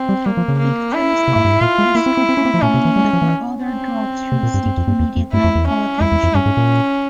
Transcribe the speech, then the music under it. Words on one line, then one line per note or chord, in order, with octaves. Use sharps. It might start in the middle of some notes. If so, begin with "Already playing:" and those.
Victims of scopolamine or other drugs should seek immediate medical attention.
Already playing: C4
G3
G3 A#3
F3
C#3
A#3
E4
C3
G#2
G2
G#2
A#2 F4
G#3
A#3 E4
C4
C4
C4
C#4
C4
F3
A#2 C#4
C3
E3
G3
G#3
F3
E3
C4
C3
A#2
G2
G2
F2
G2
E2
F2
G2 E4
F2
E2
C#4
F2 E4
E2
F2
G2 C#4
G#2
A#2